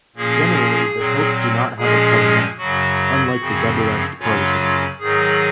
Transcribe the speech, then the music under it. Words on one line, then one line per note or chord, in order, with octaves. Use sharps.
Generally, the hilts do not have a cutting edge, unlike the double-edged partisan.
A#2 F3 A#3 C#4 G#4
A#2 F#3 C4
A#2 F3 G#3 C#4 G#4
F#2 C#3 F#3 F#4
F#2 C#3 F3 C4
F#2 C#3 F#3 C#4 F4
G#2 D#3 F#3 G#4